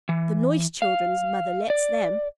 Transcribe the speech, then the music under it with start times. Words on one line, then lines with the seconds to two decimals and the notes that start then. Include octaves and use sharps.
"The Noyse children's mother lets them."
0.09 E3
0.82 F5
1.70 D5